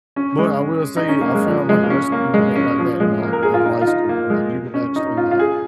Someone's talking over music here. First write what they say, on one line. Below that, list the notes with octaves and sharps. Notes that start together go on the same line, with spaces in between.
but I will say I found, like, a recipe to make, like, that in a, like, a rice cooker, like, you can actually, like,
C#4
G#3
D#4
C#4
A#3
G#3
F3
G#3
A#3
C#4
A#3
G#3
C#4
F3
G#3
A#3
A#4
G#4
F4
D#4
F4
D#4
A#3
G#3
C#4
D#4
F4
F4
G#4